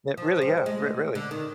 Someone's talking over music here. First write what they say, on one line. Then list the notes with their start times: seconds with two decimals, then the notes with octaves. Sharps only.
But really, yeah, r really.
0.17 F3
0.41 G3
0.66 G#3
1.15 D3
1.31 D#3